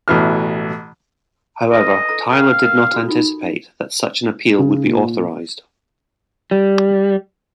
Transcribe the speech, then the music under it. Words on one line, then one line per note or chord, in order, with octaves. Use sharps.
However, Tyler did not anticipate that such an appeal would be authorized.
A1 B2 E3 F6
F4 A4 B4 D#5
A4 A#5
A#4 F5 G5
A#4
F#4 A4
D#4 F4
C#3
A#2
G3